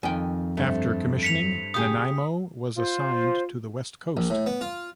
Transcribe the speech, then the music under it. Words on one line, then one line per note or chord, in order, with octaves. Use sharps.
After commissioning, "Nanaimo" was assigned to the west coast.
F2 D#3 G5 G#5
G2 A3 C4
B6 C#7 F7
C#3 G4 G#4 D#6
F4 C5
A#1
A2
B3
F4